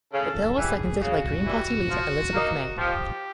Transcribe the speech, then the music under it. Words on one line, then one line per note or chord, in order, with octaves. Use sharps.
The bill was seconded by Green Party leader Elizabeth May.
C#3 A4
E3 G3 G#4
C#3 F#4
E3 G3
F3
A#3 D#4
F3 G4